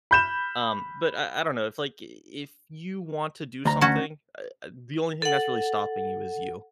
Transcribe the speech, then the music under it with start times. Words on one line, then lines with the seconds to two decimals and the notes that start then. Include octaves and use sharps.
Um, but I I don't know, it's, like, i i if you want to do something, uh uh, the only thing that's really stopping you is you.
0.11 B5 G6 E7
3.65 D2 A#5
3.81 C#4 F#4
5.22 A4 F#5